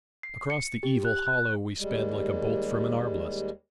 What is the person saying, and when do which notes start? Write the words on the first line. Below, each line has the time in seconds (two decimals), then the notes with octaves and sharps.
Across the evil hollow we sped like a bolt from an arblast.
0.23 C7
0.50 C#7
0.83 G4
1.05 F#6
1.27 F#6
1.78 D#2 G3 G#3